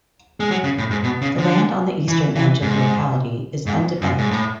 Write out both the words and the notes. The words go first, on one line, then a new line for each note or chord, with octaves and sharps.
The land on the eastern edge of the locality is undeveloped.
G#3
F#3
C#3
A2
G#2
B2
C#3
D3
E3
E3
G#2
G#2
F#2
G#2
A2